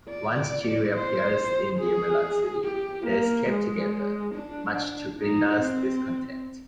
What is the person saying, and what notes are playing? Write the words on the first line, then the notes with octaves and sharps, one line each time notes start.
Once she reappears in the Emerald City, they escape together, much to Glinda's discontent.
D5
C5
G#4
G4
A#3
G#3
D4
D#4
C4